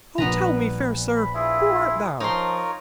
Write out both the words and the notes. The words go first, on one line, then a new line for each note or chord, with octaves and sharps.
'Oh, tell me, fair sir, who art thou?
A#1 B3 F4 B4 A#5
G3
B5
E4 F4 G#4 E5
F3 D#4 F4 A#4 C#5 C6